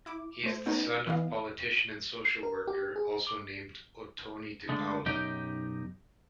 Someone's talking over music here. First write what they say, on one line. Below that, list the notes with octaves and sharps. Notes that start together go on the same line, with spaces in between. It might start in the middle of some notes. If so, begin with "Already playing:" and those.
He is the son of politician and social worker also named Otoni de Paula.
E4 D6
A3 C5
A3 B3 C#4 D#4 B4
E3 B3 D#5 F5
A#4
G4
G#4
D6
D3 G#3 A3
B1 F#2 D#4 G4 G5